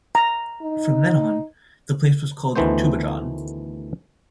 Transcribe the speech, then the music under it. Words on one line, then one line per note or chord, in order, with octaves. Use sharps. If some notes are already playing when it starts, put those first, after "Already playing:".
From then on, the place was called "Tubajon".
A#5
D#4
D2 D#3 E3 A3 B3 C5